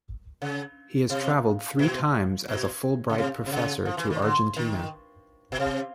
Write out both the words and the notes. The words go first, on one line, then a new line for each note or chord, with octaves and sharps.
He has travelled three times as a Fulbright professor to Argentina.
C#3
C3
B2
B2
C#3
C3
C3
C#3
F3
E3
D#3
D3
D#3
B2
C3